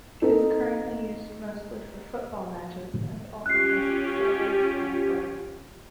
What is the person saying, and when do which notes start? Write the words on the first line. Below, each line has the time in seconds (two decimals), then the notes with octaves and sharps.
It is currently used mostly for football matches and also has facilities for athletics.
0.22 C4 D#4 A4
3.46 C#4 F4 G4 F#6 C7